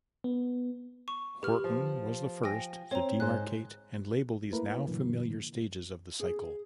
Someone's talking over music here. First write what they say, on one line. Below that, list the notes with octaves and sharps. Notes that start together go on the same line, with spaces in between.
Horton was the first to demarcate and label these now-familiar stages of the cycle.
B3
C#6
G4 B4 F6
F3
G5 G#5 A#6
C4 C#5 A#5
G#2 C5 F#6
A3 A#3 E4 A#4 B4
F#2 A#2 D3 E3 A#3
G#4